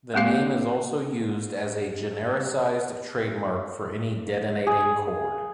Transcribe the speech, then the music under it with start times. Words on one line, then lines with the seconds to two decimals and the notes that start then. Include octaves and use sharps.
The name is also used as a genericized trademark for any detonating cord.
0.14 G#3 A#3 C4 G4 F5
4.67 G#4